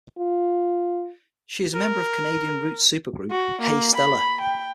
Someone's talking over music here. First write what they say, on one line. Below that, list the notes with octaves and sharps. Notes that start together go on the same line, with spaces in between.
She is a member of Canadian roots super group Hey Stella!
F4
A#4
F#4
A#3
B5
G5